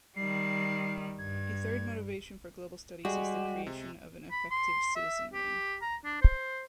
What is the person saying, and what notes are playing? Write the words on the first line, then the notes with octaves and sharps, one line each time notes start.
A third motivation for global studies is the creation of an effective citizenry.
D#3 G3 C7
G2 G#6
G3 G#3 F#4 G4
C3
B5
C6
E5
G4
A#5
D4
C5